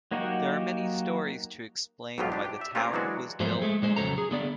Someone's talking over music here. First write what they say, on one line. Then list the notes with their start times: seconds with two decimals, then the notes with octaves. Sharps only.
There are many stories to explain why the tower was built.
0.12 F#3 A#3 D#4 F#4 G4
2.18 B1 G#2 B2 F#3 F4 G4
2.32 D4 G4
2.45 G4
2.61 E5
2.75 A3 A#3 C4 C#4 F4 G4
2.93 E3 F#3 G#3 D4 F#4
3.40 G#2 F3 F#3 A3 B3 C5
3.62 G#3 A3
3.82 A#2 G#3 C5
3.96 F2 C#3 F#3 A4 A#5
4.18 G#4
4.31 D3 B3 D5